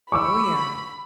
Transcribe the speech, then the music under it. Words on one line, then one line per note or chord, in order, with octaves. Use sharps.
Oh, yeah.
B5 C#6 D6 E6